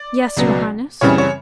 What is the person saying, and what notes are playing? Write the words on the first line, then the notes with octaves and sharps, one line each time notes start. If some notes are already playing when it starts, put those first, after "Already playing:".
"Yes, your highness?"
Already playing: D5
C#2 B2 F#3 B3
F#2 C#3 E3 G3 C4 C#5
C#5